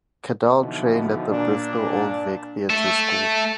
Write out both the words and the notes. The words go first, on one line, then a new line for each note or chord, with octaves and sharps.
Cadell trained at the Bristol Old Vic Theatre School.
B2 D3 E3 F3 D#4
A#2 D4
A4 E5